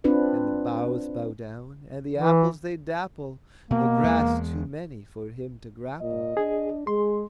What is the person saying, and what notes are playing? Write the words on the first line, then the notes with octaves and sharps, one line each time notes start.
And the boughs bow down, and the apples they dapple The grass, too many for him to grapple.
C4 D4 F4 B4 D5
E3
B2 A#3
E2 G#3
A#2 D#5
D4 G#4
G#3 G#4 C6